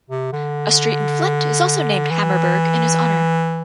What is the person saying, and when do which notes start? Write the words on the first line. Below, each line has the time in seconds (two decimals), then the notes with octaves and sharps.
A street in Flint is also named Hammerberg in his honor.
0.10 C3
0.33 D3
2.11 E3